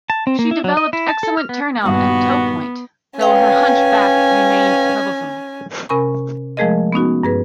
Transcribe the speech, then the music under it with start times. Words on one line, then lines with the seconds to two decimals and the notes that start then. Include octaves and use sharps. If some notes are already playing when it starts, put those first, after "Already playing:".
She developed excellent turnout and toe point, though her hunched back remained troublesome.
0.10 A5
0.27 C4
0.39 A#3
0.51 E4
0.64 F#3
0.77 D#5
0.93 E4
1.09 A5
1.23 A4
1.37 F6
1.49 B3
1.85 G2 A#2 D#3 B3 F#4
3.19 C#4 B4 F5 G5 G#5
5.89 C3 C#4 A#4 G#5 B5 C#6
6.57 F3 G#3 A3 G#4 A#4 D#5
6.92 B3 C#4 D#4 F#4
7.23 G2 G#4 B4